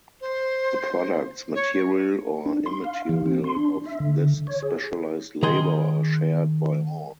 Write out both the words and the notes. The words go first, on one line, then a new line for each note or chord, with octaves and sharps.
The products, material or immaterial, of this specialized labor are shared by all.
C5
C#5
D4
C6
F5
E3
C4
C6
D4
E5
D3
C#5
G#4
D#3 G#4 C6